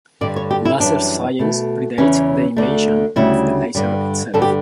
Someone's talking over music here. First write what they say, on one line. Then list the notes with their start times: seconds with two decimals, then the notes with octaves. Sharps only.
Laser science predates the invention of the laser itself.
0.21 G2 D3 G3 D5
0.36 C#5
0.51 G4
0.65 E4
0.80 F#2 E3 G3 D4
1.39 B2 A3
1.98 E2 C#3 E3 C#4
2.57 D2 D3 A3
3.16 D2 C#3 G3 E4
3.75 G2 D3 G3
4.34 G2 D3 G3 A4
4.42 G4